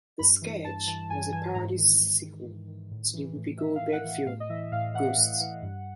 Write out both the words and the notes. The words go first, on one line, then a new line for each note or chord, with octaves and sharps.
The sketch was a parody sequel to the Whoopi Goldberg film "Ghost".
G2 B5
E3
G2 A5
E3 A5
G2 G#5
E3 G#5
G#2 A#5
D#3
G#2
D#3
G#2
D#3
A2
E3
A2
E3 E5
F5
A2
F#5
E3
A2 F5
D#5
E3 E5
A2 F5
E3 F#5
A2
E3
G2